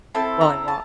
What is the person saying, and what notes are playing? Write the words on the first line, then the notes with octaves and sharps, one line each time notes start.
while I walk.
C4 E4 A4 A5
A#5
A5